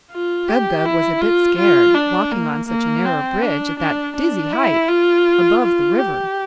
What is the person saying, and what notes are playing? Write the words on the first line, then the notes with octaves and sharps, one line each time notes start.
Gub-Gub was a bit scared, walking on such a narrow bridge at that dizzy height above the river.
F4
G4
E4
F4
F4
D4
A#3
A#3
C4
D4
D4
D4
E4
F4
F4
G4